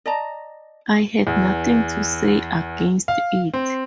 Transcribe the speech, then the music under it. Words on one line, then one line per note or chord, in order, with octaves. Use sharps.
I had nothing to say against it.
D5 D#5 A5 A#5
E2
F5
C4